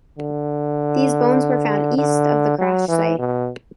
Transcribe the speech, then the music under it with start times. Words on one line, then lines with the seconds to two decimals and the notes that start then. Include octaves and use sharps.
These bones were found east of the crash site.
0.18 D3
1.98 D3
2.59 F#3
2.88 E3
3.19 B2